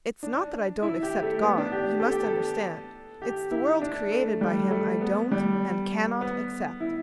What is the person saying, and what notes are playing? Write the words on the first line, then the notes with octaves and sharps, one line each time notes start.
It's not that I don't accept God, you must understand, it's the world created by Him I don't and cannot accept.
D4
E4
G4
A3
B3
D4
G4
A4
G4
A4
G4
E4
D4
A3
G3
A3
B3
G3
B3
E4